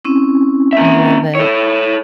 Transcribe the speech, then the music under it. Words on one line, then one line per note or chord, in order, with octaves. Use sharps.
I love it.
C4 C#4 E4
A#3 E5
E4 A4 C#5